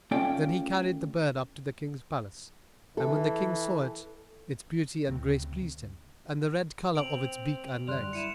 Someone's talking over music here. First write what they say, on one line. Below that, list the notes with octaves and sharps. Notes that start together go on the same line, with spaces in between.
Then he carried the bird up to the King's palace and when the King saw it, its beauty and grace pleased him and the red colour of its beak and legs.
A3 C#4 F4 A4 D5 G5
E3 A4
D2 C#3 C4
C4 D7 F7 F#7
F#2 D3 G3 D5 C6 F6 F#6 F7
E4 C#7 D#7 E7